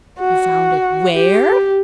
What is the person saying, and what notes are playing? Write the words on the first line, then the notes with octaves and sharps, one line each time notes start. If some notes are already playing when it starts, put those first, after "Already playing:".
"You found it--WHERE?"
F#4
G4